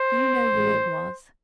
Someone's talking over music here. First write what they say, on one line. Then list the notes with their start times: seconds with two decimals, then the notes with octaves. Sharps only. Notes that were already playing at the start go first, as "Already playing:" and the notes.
"Do you know who it was?"
Already playing: C5
0.52 A1 A2 G3